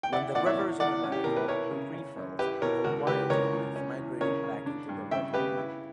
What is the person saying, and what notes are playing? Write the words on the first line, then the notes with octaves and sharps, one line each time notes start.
When the Rivers of America were refilled, the wildlife migrated back into the river.
G5
E4 D5 F#5
A#2 D5 F#5
C#5 E5
E2
E2 D5 F#5
C#4
G4
B2 A#4
B4
E4 A#4 C#5
C#3
C#4
F#2
E4 G4 B4
B2 A#4 C#5
C#2 F#4 A#4
C#2 G4 B4
C#2 A#4 C#5
C#2
C#4
E2
C#3 A#4 C#5
C#3
D4
G2
C#3 E5 G5
C#3 G4 B4
E4